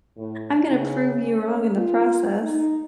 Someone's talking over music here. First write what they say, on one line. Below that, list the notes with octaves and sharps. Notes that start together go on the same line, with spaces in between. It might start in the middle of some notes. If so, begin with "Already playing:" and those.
I'm gonna prove you wrong in the process."
A2
C#3
C#4
F4
D#4